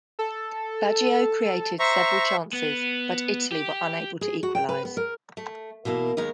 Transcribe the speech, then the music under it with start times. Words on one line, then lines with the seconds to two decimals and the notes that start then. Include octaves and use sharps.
Baggio created several chances, but Italy were unable to equalise.
0.19 A4
1.79 C5 E5 A#5 C#6
2.53 B3
3.52 G4
4.21 G#4
4.43 F#4
4.55 G5
4.69 B4
4.85 B3
4.97 A#4
5.37 A3
5.85 B2 E3 A#3 E4
6.17 D#2 D#3 G#3 B3 A#4